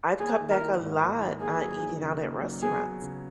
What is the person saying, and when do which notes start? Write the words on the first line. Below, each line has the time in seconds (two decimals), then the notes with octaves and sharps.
I've cut back a lot on eating out at restaurants.
0.20 A#3 G#4
0.41 D#3
0.50 A#4
0.60 E4
0.80 G#2
1.01 A#3
1.21 D#3
1.41 A#3 G#4
1.61 F#3
1.81 D#4
2.02 C#3
2.22 A#3
2.41 F#3
2.62 B3 G#4
2.82 F#3
3.02 C#3